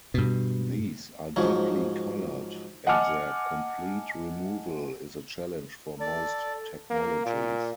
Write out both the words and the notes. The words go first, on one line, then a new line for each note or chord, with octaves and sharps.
These are deeply colored and their complete removal is a challenge for most technologies.
G2 B2
G#2 F3 F#3
D#5 F#5 G#5 A5 D6 F6
A4 D5
A#3
A#2